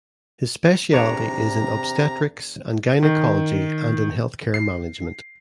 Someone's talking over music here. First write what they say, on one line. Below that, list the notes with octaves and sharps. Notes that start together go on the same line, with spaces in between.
His specialty is in obstetrics and gynaecology and in healthcare management.
E2 C3 D4 C#5 A#5
D#3
C7